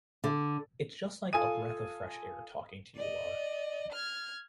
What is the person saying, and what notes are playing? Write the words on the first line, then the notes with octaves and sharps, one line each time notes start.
It's just like a breath of fresh air talking to you, Laura.
D3
F4 A4 G#5 D#6 D#7
D5 D#5
F6 G#6